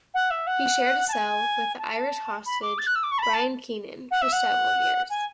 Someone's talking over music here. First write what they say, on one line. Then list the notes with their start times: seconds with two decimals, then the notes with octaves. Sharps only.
He shared a cell with the Irish hostage Brian Keenan for several years.
0.14 F#5
0.30 E5
0.47 F#5
1.08 A5
1.13 G#5
1.79 A5
2.46 B5
2.62 D6
2.78 A6
2.87 F#6
2.95 E6
3.03 D6
3.12 C#6
3.18 A5
3.22 B5
3.34 A5
4.11 F#5
4.22 E5
4.32 F#5
5.10 G#5